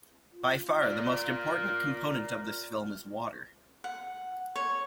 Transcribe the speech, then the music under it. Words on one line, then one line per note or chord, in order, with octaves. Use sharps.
By far, the most important component of this film, is water.
F4
A#4 D5
F#5
C#5